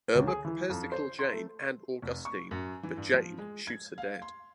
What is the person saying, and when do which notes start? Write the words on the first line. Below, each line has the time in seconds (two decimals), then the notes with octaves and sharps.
Irma prepares to kill Jane and Augustine, but Jane shoots her dead.
0.15 C#2
0.27 G#4
0.45 E3
0.70 F2
0.92 C5
1.19 C6
1.32 A3
2.02 F1
2.25 C#6
2.51 F#2
2.83 E3
2.97 G2
3.14 F3
3.38 G#3
3.67 G#6
3.98 F5
4.22 C6